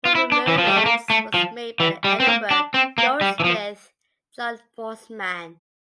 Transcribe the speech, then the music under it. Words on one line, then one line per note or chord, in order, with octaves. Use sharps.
One of the mermaids was made by the Edinburgh goldsmith John Mosman.
F4
E4
D4
E3
F3
G3
A3
A#3
A3
F3
E3
G3
C4
A#3
D4
C4
A#3
G3
E3
F3